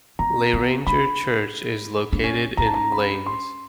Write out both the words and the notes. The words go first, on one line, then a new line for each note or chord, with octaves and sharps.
Leiranger Church is located in Leines.
C4 A#5
B3
D4 B5
D4
C#4
C#4 A#5
A5
A#5
B5
C6